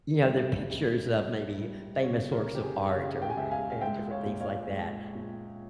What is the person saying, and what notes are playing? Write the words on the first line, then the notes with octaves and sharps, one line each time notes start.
you know, they're pictures of maybe famous works of art or and different things like that.
G3 E5 G5
C#2
G3
G3
C#3 C#5 F5
A#4 C#5
C#3
G4
G#4
C#3 C#5 F5
G5
G#5
C#2 E5 G5
F5 G#5
F5
G#3 E5 G5
C#5 F5
A#2
C#5 F5
G#3
A#2